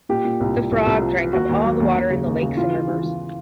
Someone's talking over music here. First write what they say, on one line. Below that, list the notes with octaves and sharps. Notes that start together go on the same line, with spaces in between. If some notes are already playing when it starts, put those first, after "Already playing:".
The frog drank up all the water in the lakes and rivers.
A#2 G4
A#2
C2
C2
C2
C2
F3
F3
D#2 F#4
D#2
F#3
D#2
D#2
C#3
D#2
C#3
E3 F4
E3
E3
E3